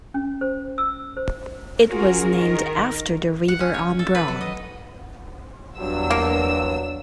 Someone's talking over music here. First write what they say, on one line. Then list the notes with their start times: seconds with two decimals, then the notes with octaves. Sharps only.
It was named after the river Ombrone.
0.14 C#4
0.41 C5
0.78 E6
1.17 C5
1.89 C#4 F4 F#4 G#4 A#4
2.35 D#3 A#4
3.48 F#5
3.60 C#4
3.74 C#5
3.99 A4
4.15 B4
4.28 F#3
4.41 D#5
5.78 E2 G2 F#3 D4 E6
6.10 A#3